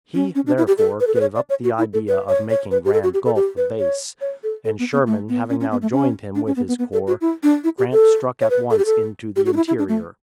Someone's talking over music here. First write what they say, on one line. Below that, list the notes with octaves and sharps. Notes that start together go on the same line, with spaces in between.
He, therefore, gave up the idea of making Grand Gulf a base, and Sherman having now joined him with his corps, Grant struck at once into the interior.
C#4
C#4
D4
E4
G4
A4
B4
A4
B4
C#5
D5
C#5
F#4
E4
A4
B4
C#5
C#5
B4
G4
A4
F#4
G4
A4
G4
B4
C#5
C#5
A4
A4
B3
B3
A3
B3
C#4
C#4
B3
A3
C#4
D4
C#4
B3
B3
B3
A4
F#4
E4
D4
E4
G4
A4
C#5
B4
A4
G4
A4
G4
F#4
D4
E4
E4
D4
A3